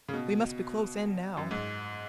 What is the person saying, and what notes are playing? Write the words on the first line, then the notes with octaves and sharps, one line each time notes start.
We must be close in now!
C#3
B2
F#2
G#2